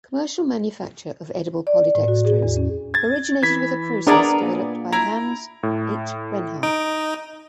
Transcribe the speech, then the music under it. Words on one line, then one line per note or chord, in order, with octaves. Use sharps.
Commercial manufacture of edible polydextrose originated with a process developed by Hans H. Rennhard.
D5
A2
F#4
G#4
E2
C#4
G#6 A6
E3 G#6 B6
B3 D4 G#4 A#4 D5 A#5
A#2
E4 A#5
A2
D#4 D7